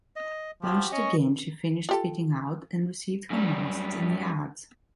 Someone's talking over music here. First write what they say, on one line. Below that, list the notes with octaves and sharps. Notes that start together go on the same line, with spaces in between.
Launched again, she finished fitting out, and received her masts and yards.
D#5
F3 F#4 G4
C#4 D#5 C#6
F4 G4 A4
F#2 G3